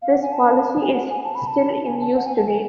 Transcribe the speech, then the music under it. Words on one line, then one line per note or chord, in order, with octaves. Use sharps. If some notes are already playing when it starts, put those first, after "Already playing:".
This policy is still in use today.
F5
F#5
G#5
A5
G#5
F#5
G#5
A5
B5
A5
A5
G#5
A5
F#5
G#5
A5
G#5